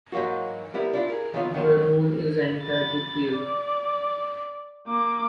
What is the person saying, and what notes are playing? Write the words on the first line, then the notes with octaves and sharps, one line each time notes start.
The road is entirely paved.
G#2 E3 F#3 A#3 F#4
G3 B3 E4 A#4
D4 E4 F4
G#4 A#4
D#3 E3 F#3 B3 D#4 F4
D#3 F#3 A#4 G#5 A5 C6
B5 A6
D5
A#3 D6